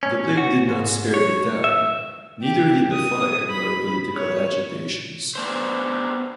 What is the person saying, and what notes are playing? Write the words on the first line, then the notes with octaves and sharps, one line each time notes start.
The plague did not spare the town, neither did the fire nor political agitations.
C#4
F#4
G#2
C#5
E5
G4
D#6
B5
C#5
B3 D4 C5